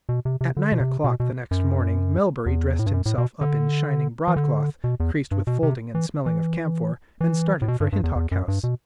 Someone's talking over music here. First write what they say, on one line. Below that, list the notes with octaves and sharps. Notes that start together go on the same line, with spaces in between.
At nine o'clock the next morning Melbury dressed himself up in shining broadcloth, creased with folding and smelling of camphor, and started for Hintock House.
B2
C3
C3
D3
B2
C3
B2
B2
F#2
E2
A2
G2
F#2
A2
B2
D3
E3
D3
B2
E2
G2
B2
C3
E3
E3
E3
A2
B2
G2
G2
E2
E2
F#2
G2
B2